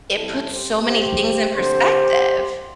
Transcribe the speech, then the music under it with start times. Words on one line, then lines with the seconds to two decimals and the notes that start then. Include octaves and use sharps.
it puts so many things in perspective.
0.16 C3 G3 C4 E4 A4
0.51 G4 C5
0.85 G4 C5
1.55 D3 C4 G4 C5